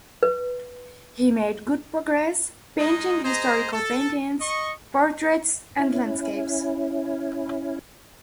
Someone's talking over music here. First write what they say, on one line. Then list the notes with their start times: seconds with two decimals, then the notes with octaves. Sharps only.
He made good progress, painting historical paintings, portraits and landscapes.
0.23 B4
2.79 G#3 D#4 D#5
3.23 G#4 C5 D#5 A#5
3.72 A4
4.41 D#5 C#6
5.79 C#4 E4